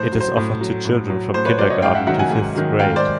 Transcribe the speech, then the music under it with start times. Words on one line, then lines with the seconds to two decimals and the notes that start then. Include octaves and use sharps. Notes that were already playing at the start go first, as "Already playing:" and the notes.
It is offered to children from Kindergarten to Fifth grade.
Already playing: A2 C5
0.12 F#3
0.20 C5
0.37 A2
0.61 F#3
0.85 A2
1.10 F#3
1.34 A2 C5
1.46 B4 C#5
1.58 F#3 C5 D5
1.70 C#5 D#5
1.82 G#2 F5 G5
1.95 E5 F#5
2.07 D#3 F#3 E5 F#5
2.19 F#5 G#5
2.31 G#2
2.55 D#3 F#3
2.79 G#2 F5 G5
2.96 C5 D5